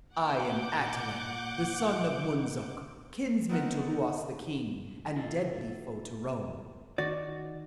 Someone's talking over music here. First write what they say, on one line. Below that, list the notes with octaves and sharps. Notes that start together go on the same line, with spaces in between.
"I am Attila, the son of Mundzuk, kinsman to Ruas the king, and deadly foe to Rome."
A#2 F#5 D6 G6
B3 C4 D#4 A#4 F#5
F4 A4 E5
D#3 F#4 D5